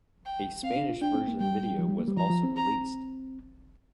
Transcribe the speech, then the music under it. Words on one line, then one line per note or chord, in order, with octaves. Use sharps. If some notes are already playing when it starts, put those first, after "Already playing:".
A Spanish version video was also released.
G5
C4 F5
D4
F4
D4 G5
C4
A#3
G3 G5
F3
G3
A#3
G3
F3 A#5
F3
C4
A#5